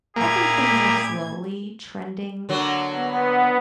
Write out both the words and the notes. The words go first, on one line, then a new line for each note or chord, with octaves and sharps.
I think things are slowly trending
A#2 A#3 E4 G4 G#4 G#6
D3 F#3 A#3
B3